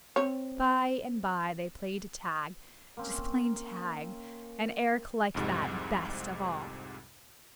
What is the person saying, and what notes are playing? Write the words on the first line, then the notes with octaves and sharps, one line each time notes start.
By and by they played tag, just plain tag, and Eric liked that best of all.
C4 C#5
A#3 C4 C#4
C2 F2 G#2 C3